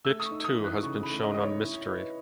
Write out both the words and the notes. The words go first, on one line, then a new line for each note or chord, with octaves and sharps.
It too has been shown on Mystery!
A3 E6
D#6
C#6
D#4
D#6
E3
F#6
C#3 C#6
B5
A3
D#5
D#4 D#5
C#5
E4
B4